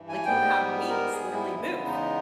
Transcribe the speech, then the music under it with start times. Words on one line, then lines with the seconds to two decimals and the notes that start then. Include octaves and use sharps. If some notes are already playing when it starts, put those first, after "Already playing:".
Like, "You have wings, literally move."
Already playing: G2 E3
0.09 G#5
0.25 G#2 G3 B3 G5
0.90 A#4
1.12 G#4
1.33 E4
1.54 E2 C#3 G#3 B3 E4
1.87 D#4